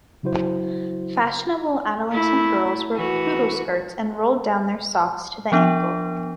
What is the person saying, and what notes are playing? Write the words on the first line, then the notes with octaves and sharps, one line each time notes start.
Fashionable adolescent girls wore poodle skirts and rolled down their socks to the ankle.
C#3 F#3 E4 F#4 C5
A3 E4
E3 F#4
F3 B3 D4